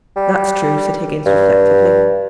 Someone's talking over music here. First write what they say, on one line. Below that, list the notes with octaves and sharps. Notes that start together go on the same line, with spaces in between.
'That's true,' said Higgins, reflectively.
G3
G2